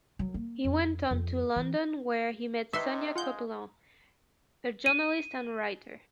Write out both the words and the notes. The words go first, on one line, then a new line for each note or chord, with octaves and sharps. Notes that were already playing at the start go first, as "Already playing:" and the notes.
He went on to London where he met Sonia Copeland, a journalist and writer.
F#3
A#3
F2
F2
E3
C3 D#4 B4 E5 C6 C#6
G#3 F4 F#5 G6
D#7